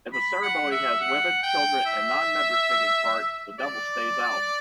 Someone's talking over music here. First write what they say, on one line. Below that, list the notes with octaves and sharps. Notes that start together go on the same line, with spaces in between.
If a ceremony has women, children and non-members taking part, the devil stays out.
B5
F#5
E5
F#5
G5
E5
D5